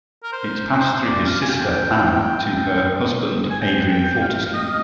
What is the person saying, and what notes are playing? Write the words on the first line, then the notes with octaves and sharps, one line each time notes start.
It passed through his sister, Anne, to her husband-Adrian Fortescue.
A#4
C5
C5
D5
F5
G#5
G5
G#5
G5
G5
G5
F5
F5
D#5